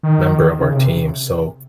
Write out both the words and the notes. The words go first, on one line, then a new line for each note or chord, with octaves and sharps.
member of our team, so,
D#3
C#3
C#3
C3